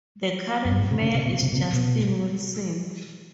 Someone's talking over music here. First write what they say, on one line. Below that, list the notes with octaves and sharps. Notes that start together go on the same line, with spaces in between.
The current mayor is Justin Wilson.
F#2
G2
G#2
C3
C#3
C3
B2
C3
B2
C3
B2